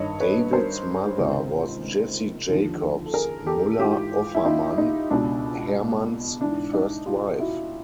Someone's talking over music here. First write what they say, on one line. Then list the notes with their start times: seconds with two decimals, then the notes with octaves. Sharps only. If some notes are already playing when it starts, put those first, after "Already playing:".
David's mother was Jessie Jacobs Muller Offermann, Hermann's first wife.
Already playing: G2 D#3 C#5 D#5
0.20 B4 C#5
0.53 A#4 C5
1.18 C#2 C3 D#3
2.49 D#2 D3 F3
3.06 A4
3.14 G#4 A#4
3.46 G4 A4
3.79 G#2 E3 F4 G4
4.35 E4
4.45 D#4 F4
4.78 D#4
5.11 C#2 B2 D4
6.41 G#2 E3 D4
6.73 D#4
7.06 F4 G4
7.40 E4 F#4